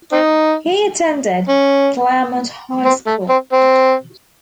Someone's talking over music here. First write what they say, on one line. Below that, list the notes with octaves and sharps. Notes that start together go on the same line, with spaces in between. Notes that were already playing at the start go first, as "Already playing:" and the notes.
He attended Claremont High School.
C4 D#4
C#4
C4
A3
C4
C4